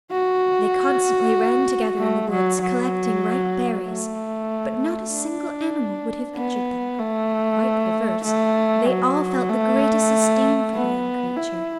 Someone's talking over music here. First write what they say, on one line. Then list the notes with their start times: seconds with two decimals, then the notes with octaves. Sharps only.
They constantly ran together in the woods, collecting ripe berries; but not a single animal would have injured them; quite the reverse, they all felt the greatest esteem for the young creatures.
0.11 F#4
1.99 A3
2.30 F#3
2.61 F#3
3.87 A3
5.12 D4
6.36 B3
6.99 A3
8.24 A3
8.87 F#3
9.49 A3
10.74 B3
11.36 E4